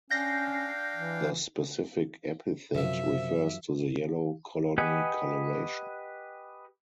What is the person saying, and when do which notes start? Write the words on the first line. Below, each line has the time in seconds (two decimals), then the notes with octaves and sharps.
The specific epithet refers to the yellow colony colouration.
0.11 C#4 D4 F5 G5 G6 A#6 C7
0.96 E3
2.75 F#2 C3 F3 E5
4.78 G4 B4 D#5 F#5 G#5